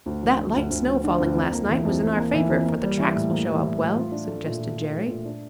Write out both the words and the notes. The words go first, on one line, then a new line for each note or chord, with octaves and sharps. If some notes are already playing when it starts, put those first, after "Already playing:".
"That light snow falling last night was in our favor, for the tracks will show up well," suggested Jerry.
D2
F3
D3
D2
D2
F3
D3
D2
F2
A#3
E3
F2
F2
A#3
E3
F2
A#3
G3
E3
A2
A#3
G3
E3
A2
F4
D4
A3
A#2
F4
D4
A3
A#2
D4